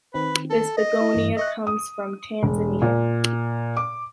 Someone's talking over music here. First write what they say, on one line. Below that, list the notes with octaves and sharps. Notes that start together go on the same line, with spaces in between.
This Begonia comes from Tanzania.
D#3 C4 B4
A4
D#5
E4
G2 E3
D#5 E5 C#6 F#6
D#6
E1
A#2
D6